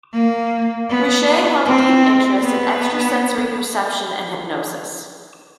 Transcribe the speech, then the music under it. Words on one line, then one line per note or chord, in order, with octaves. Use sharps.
Richet held a deep interest in extrasensory perception and hypnosis.
A#3
B3
C4
B3